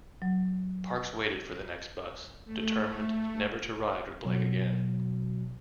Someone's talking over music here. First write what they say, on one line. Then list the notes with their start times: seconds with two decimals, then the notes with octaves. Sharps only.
Parks waited for the next bus, determined never to ride with Blake again.
0.22 F#3
2.45 A3
4.25 B2 F#3